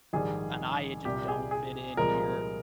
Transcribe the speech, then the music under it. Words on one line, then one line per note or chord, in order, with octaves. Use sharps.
and I, uh, just don't fit in here."
A#1 G#2 D#3 G3 G#4
C2 A#2 G3 G4
G#4
G#4
C2 A#2 F3 G#3 A#4